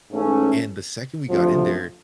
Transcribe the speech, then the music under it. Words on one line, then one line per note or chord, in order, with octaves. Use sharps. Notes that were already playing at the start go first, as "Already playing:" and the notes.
And the second we got in there,
G#2 E3 A3 C#4
D2 C3 F3